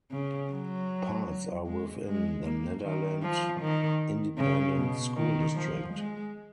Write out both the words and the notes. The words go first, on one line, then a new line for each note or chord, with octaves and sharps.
Parts are within the Nederland Independent School District.
C#3
F#3
G#3
G#3
A#3
D#3
F3
D#3
C#3
B2
D#3
F3
G#3